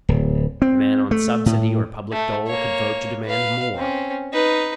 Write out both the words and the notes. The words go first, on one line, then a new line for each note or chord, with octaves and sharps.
The man on subsidy or public dole could vote to demand more.
D1
C4
A3
A2
A3
A#3 C#5
B4 F5
C4 C#4
D#4 B4